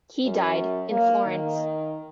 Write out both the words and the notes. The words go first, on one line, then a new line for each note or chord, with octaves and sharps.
He died in Florence.
F#2
A#3
D#3